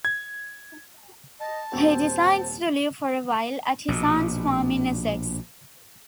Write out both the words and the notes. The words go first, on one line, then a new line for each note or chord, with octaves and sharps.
He decides to live for a while at his aunt's farm in Essex.
G#6
D#5 A5
D#1 C4 F#4 C5
A#1 B2